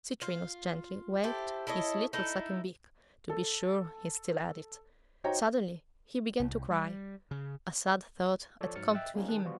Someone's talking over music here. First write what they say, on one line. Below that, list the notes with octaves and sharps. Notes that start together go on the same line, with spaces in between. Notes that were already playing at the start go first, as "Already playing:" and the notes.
Citrinus gently waved his little sucking-beak, to be sure he still had it. Suddenly he began to cry; a sad thought had come to him.
F4
E4 G4 A4 C5
E4 A4 C#5 D#5
D#4 E4 A4
A4
D#4 F#4 C5 C#5 G5 A#5
C2
G3
C#3
F3 A4 C#5 D5
G#2 F#3 F6 A6 C#7
D#5 E5 G5 E6 F#6 A6
G3 G#3 A#3 C4 C#4 D#4
D#3 G#4 A5 F#6
F3 G3 B3 F4 F#4